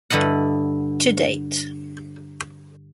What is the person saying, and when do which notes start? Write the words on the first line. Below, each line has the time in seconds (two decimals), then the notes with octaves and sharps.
To date.
0.10 G2 D3 E4 D#5 F#5